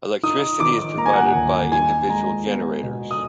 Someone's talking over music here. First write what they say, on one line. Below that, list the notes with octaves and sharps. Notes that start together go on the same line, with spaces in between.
Electricity is provided by individual generators.
D#4 D#6
D#3 D6
A#3 A#5
G#5
F#5
G#5
D#2
D#4 G#5
G#3 A#5
B3
B2
D#6